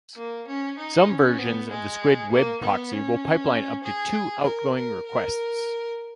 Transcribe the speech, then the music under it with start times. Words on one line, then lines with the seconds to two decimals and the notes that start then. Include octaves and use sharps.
Some versions of the Squid web proxy will pipeline up to two outgoing requests.
0.17 A#3
0.47 C#4
0.79 D#4
1.09 C#4
1.39 B3
1.70 G#3
2.32 A#3
2.61 B3
2.92 C#4
3.84 G#4
4.44 A#4
4.76 A#4
5.06 A#4